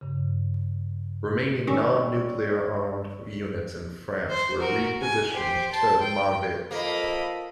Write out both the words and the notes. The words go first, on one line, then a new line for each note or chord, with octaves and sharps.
Remaining non-nuclear armed units in France were re-positioned to Marville.
G2 C#3
D#3 G3 C#4 C#5 C#6 E6
C5
F#4 A#4
G#5
G4 C5
C5 A5
G5
F2 A#3 F4 A4 A#4 D#5 B5